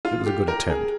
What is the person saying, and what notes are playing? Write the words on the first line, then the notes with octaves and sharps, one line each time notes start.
It was a good attempt.
F4
G4
A#4
G#4